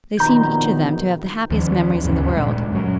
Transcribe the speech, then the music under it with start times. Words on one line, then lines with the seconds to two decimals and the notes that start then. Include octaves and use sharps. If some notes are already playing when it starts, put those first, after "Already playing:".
They seemed each of them to have the happiest memories in the world.
0.17 A#1 B2 D#3 A#5 G6
1.51 D#2 F3
2.03 G1 D2 C#3
2.36 A#2 G#3
2.72 F#2 F#3